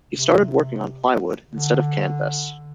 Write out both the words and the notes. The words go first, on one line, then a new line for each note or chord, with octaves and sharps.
He started working on plywood instead of canvas.
C3
D3